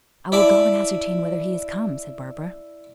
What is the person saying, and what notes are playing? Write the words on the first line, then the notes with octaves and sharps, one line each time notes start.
"I will go and ascertain whether he is come," said Barbara.
E4 D5 E5 A5